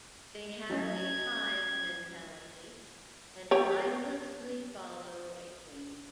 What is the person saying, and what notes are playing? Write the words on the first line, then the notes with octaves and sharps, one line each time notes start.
They have a hive mentality and mindlessly follow a queen.
F#3 C#4 D#5 G#6
G4 C#5